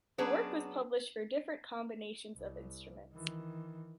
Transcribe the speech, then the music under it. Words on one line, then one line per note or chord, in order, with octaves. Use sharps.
The work was published for different combinations of instruments.
F#3 B3 C#4 D4 G#4
C2
D#3 E3